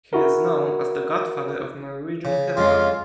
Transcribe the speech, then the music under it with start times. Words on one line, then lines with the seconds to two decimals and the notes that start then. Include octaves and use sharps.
He is known as the godfather of Norwegian hip hop.
0.13 E4 F#4 A#4
2.25 C#3
2.57 F2 C#3 G#3 F4